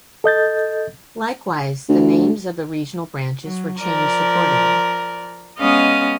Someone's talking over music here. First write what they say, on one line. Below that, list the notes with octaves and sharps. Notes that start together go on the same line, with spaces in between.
Likewise, the names of the regional branches were changed accordingly.
A4 D#5 G6 A6
D2
F#3
F3 A#4 D5
G#3 B3 C#4 D#5 F5 D#6